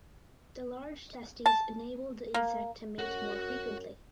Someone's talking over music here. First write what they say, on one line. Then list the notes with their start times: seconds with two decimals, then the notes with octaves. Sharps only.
The large testes enable the insect to mate more frequently.
1.46 A5
2.34 A#3
2.99 F#2 F#4 F#5